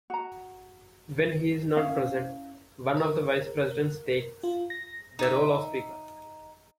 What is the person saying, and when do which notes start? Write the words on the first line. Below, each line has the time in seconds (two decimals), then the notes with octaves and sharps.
When he is not present, one of the vice-presidents takes the role of speaker.
0.10 F#4 A#5
1.76 C#4 E4 F5
2.97 A#4
4.43 F4
4.70 A#6
5.19 D#4 E5